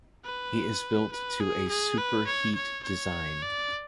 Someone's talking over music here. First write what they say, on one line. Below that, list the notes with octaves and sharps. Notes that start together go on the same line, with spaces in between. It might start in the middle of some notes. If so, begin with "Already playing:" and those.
He is built to a "super-heat" design.
B4
B4
G#4
G#4
B4
C#5
C#5
C#5
D5